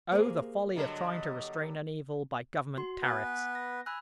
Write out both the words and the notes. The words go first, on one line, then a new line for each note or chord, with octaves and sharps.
Oh, the folly of trying to restrain an evil by government tariffs!
A#3 G4 G#4 C5
D3 F#3 G3 D#5
F#4 C6
B3 B4 G#5
A#6
G#5 B5 E6 F#6